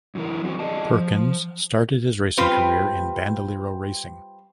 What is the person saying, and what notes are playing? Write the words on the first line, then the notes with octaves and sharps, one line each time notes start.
Perkins started his racing career in Bandolero racing.
F#2 E3 A#4
F#3 C4 F#4
G#4 D5 D#5 A5
F3
G3 C4 F4 B4